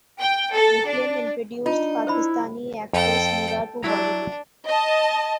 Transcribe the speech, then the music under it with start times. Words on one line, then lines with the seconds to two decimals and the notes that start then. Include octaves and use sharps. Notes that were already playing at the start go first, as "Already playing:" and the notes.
The film introduced Pakistani actress Meera to Bollywood.
0.20 G5
0.54 A4
0.87 D4
1.66 D4 D#4 F4
2.07 E4 C5 E5 B5
2.93 F2 A4 G5
3.83 F#3 D4 E4 A#5
4.66 D#5 A5